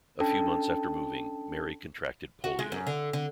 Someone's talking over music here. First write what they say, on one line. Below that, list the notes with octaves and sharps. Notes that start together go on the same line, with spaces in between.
A few months after moving, Mary contracted polio.
C#4 D4 A4 G5 A5
F#4
G#3
F#2
D3
D3